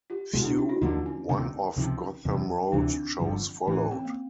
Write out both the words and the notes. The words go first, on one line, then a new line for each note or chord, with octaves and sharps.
Few one-off Gotham Road shows followed.
F4 G4
C2 B2 G#3 E4 F#4
D4 E4
D#4 F4
E4 F#4
D#2 D3 F3 A#3 D#4 F4
C#4 D#4
E1 D2 C3 D#3
C#2 C3 F3 C#4 D#4
E1 E2 C3
D#4
D2 C3 E3 C4 D4
G1 G2 D3 F3
A1 A2 E3 C#4
C4
A#3